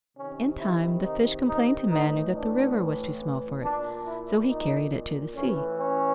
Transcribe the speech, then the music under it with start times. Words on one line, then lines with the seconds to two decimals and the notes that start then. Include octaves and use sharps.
In time the fish complained to Manu that the river was too small for it, so he carried it to the sea.
0.16 C3 D#3 C#4
0.59 E4
1.03 D#4
1.46 D#4
1.89 A2 E3 D#4
2.33 D4
3.63 A#2 D4
4.06 E4
4.48 D#4
5.35 A2 E3 C#4
5.78 C#4